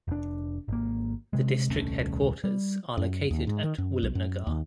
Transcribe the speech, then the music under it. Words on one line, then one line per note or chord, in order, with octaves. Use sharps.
The district headquarters are located at Williamnagar.
F1 D4
G#1 A#3
C3 G#3
D#1 C2 A3 C#4
G3
F#2
D#2
G#2
D#3
F#2
B1
F#2
D#2